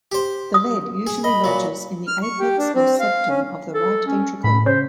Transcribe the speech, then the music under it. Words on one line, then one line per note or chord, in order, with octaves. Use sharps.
The lead usually lodges in the apex or septum of the right ventricle.
G4 C5
D#6
G#4
D#5 B5
A#2 F#3
F6
C#6
G4
D4
C4
F5
C#4
A4
C#4
A2 B5
C#3 C5